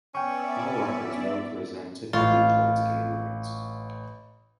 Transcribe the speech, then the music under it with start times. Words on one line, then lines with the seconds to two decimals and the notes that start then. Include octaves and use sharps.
Howarth is known for his antipathy towards gay rights.
0.15 B3 C#4 D5 E5 G5 C#6
2.13 A1 F4 C#6